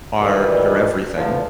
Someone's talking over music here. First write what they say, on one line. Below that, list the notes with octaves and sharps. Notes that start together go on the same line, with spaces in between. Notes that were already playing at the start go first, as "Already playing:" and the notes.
are your everything.
D2 D#3 E3 G3
E2 D3 F3